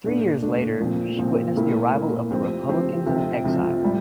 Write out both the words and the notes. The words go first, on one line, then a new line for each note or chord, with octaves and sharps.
Three years later she witnessed the arrival of the Republicans in exile.
A#2 A3 D4
A#2 A3 D4
A#2 F3 C4
A#2 F3 C4
A#2 A3 E4 A#4
A#2 A3 E4 A#4
F3 C4 G4 C5
F3 C4 G4 C5
C3 F3 C4 F4 A4
C3 F3 C4 F4 A4
A2 G3